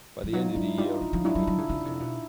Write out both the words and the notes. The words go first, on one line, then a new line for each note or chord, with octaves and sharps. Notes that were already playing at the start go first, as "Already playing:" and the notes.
By the end of the year, the group had dissolved.
F3
F#3 D#4 F4
F#3 D4 E4
G3 D#4 F4
F3
F3
F#3 D4 E4
F#3
F#3
C#3
C#3
C3
B2